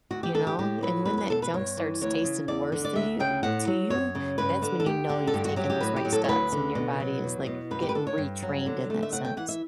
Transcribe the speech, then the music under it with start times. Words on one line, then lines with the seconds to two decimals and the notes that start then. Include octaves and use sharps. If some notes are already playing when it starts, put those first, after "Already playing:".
you know? And, when that junk starts tasting worse to you to you, that's when you know you've taken those right steps and your body is, like, getting retrained in that sense.
0.11 D2 F#4
0.23 G4
0.34 D3 A4
0.47 G4
0.59 A2 G4
0.82 F#3 B4
1.05 E2 B4
1.18 B4
1.30 B2 A4
1.42 B4
1.54 G2 C#5
1.77 E3
2.01 D2 C#5
2.24 C#3
2.48 E2 D5
2.72 D3
2.85 D5
2.95 D2 E5
3.20 C#3 G5
3.43 A2 F#5
3.67 F#3
3.90 F#2 C#5
4.15 C#3
4.38 G2 B4
4.62 D3
4.80 A4
4.86 D2 G4
5.10 D3
5.27 A4
5.34 G2 G4
5.45 F#4
5.56 F#3 G4
5.70 G4
5.81 A2 B4
5.96 G4
6.05 F#3
6.12 A4
6.24 C#5
6.28 D2 B4
6.52 D3
6.75 B2
7.00 F#3
7.24 E2
7.46 B2
7.71 F#2 B4
7.82 G4
7.89 B4
7.95 D3 A4
8.07 C#5
8.18 G2
8.42 F#3
8.66 D3
8.90 A3
9.03 E5
9.13 C#3 F#5
9.25 G5
9.37 E3 F#5
9.49 E5